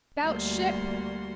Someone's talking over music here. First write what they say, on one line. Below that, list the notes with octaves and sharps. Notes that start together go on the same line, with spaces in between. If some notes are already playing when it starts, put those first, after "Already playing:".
Bout ship.
D2 G3 A#3 F#4 C6